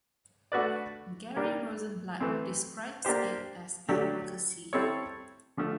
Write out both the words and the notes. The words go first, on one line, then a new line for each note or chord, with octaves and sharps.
Gary Rosenblatt describes it as "advocacy".
A3 D4 F#4 B4 D5
G3 A#3 D4
E3 A3 C4
A#3 D4 G4 C5
D3 F#3 A3 D4 G4
G3 C4 E4 A4 C#5
D3 F3 A3